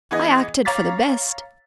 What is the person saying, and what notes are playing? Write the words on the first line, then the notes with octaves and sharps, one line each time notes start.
I acted for the best.
E3 B3 G#4 D#5
C#5 F5 A#5 D6 A6 B6